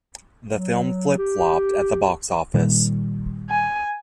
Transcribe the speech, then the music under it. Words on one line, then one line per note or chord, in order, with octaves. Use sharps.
The film flip flopped at the box office.
F#3
G4
A#2 D#3 G3
G#5